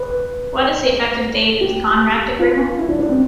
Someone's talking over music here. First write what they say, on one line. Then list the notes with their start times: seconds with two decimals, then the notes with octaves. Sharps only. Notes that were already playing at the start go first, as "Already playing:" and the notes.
What is the effective date of the contract agreement?
Already playing: B4
1.61 G4
2.39 F4
2.79 E4
2.89 D4
2.99 D4
3.09 C4